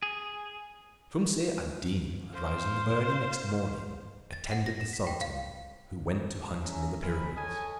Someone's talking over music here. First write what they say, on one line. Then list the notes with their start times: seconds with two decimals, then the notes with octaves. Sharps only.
Shumse ad Deen rising early next morning, attended the sultan, who went to hunt near the pyramids.
0.03 G#4
2.31 C5 F5
4.33 A6
4.51 F#5
4.66 A#6
4.81 E7
4.93 B6
5.07 G5
5.21 F5
6.63 C#4 E4 G#4 E5 G#5 A#5
7.03 B2 C4 A#4 G#5 B5
7.37 A4 C#5 D#5 G#5